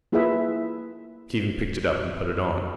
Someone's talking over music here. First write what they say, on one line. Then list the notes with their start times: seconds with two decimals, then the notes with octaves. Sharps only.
Stephen picked it up and put it on.
0.12 A#3 E4 F4 G#4 B4 E5